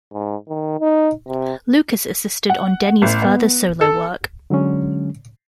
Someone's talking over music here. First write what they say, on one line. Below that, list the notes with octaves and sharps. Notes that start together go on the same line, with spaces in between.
Lucas assisted on Denny's further solo work.
G#2
D#3
D#4
C3
F#5
A1
B3
A4
D3 F#3 G#3 C#4